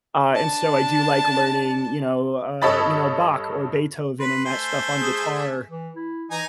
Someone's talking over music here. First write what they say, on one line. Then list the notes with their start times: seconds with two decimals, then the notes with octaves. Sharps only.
Uh, and so, I do like learning, you know, uh, you know, Bach or Beethoven and that stuff on guitar.
0.33 D4 A5
2.62 G2 A4 C#5 D#5 B5 A6
4.20 B4 C6
4.45 A3 C5 G#5
5.01 G#4
5.71 E3
5.96 E4
6.31 E3 D#4 G#5 A#5